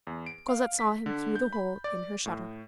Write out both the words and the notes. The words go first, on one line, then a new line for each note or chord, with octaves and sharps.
Cosette saw him through the hole in her shutter.
E2
D7
F5
B6
D3
G6
B5
D5
A2